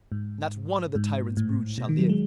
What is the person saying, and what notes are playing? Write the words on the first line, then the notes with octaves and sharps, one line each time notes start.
Not one of the tyrant's brood shall live.
G#2
G#2
A2
B2
D#3
F#3
G#3